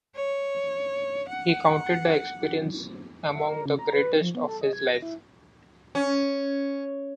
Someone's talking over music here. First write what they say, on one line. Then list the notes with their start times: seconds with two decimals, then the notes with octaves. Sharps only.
He counted the experience among the greatest of his life.
0.16 C#5
1.29 F#5
3.34 E5
3.48 A#4
3.66 C#3
3.79 A#5
3.93 B4
4.21 F3
4.35 B3
4.48 A4
4.61 D#5
4.73 G#6
4.88 A#6
5.02 E4
5.95 C#4